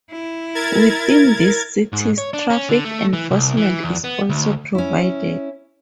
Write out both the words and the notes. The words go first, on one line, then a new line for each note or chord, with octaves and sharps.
Within these cities, traffic enforcement is also provided.
E4
A#4 G#6 A6
G#2
C#5
D4
C#4
D3
A3
E3
C2
E3
E2
B3
D2
C#4 E4